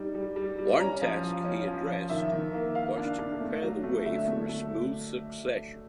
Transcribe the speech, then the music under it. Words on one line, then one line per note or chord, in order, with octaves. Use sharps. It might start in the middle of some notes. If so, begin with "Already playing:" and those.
One task he addressed was to prepare the way for a smooth succession.
Already playing: G3 D#4
G3
G3
G3
C#4 A#5
F3
F3
C#4
F3
F3
D#3 E5
D#3
A#3
A#3 F5
D4
D4
A3
F#3
A3
D3 E5
A3
A3